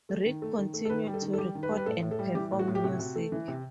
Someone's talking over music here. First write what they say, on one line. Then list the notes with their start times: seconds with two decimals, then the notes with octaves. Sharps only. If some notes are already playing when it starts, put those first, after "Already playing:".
Rick continued to record and perform music.
0.09 A3
0.26 D#3
0.42 A3
0.58 D#3
0.74 A3
0.85 A4
0.89 D#3 B4
1.07 G3
1.14 A4
1.22 D#3
1.33 A4
1.38 G3 G4
1.55 D#3
1.63 B4
1.71 G3
1.77 B4
1.86 A2 A4
2.02 A2
2.11 A4
2.19 G3
2.35 E3 G4
2.51 A2
2.59 F#4
2.68 A2
2.75 G4
2.84 C3 F#4
2.99 C3
3.16 A3
3.32 E3
3.48 C3